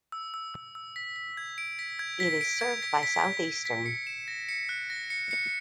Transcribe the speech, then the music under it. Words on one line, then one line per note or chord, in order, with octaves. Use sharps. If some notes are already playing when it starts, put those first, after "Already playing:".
It is served by Southeastern.
E6
E6
E6
E6
B6
B6
G#6
D7
B6
G#6
B6
D7
G#6
B6
B6
G#6
B6
B6
C#7
E7
A#6
C#7
F#6
A#6
C#7
C#7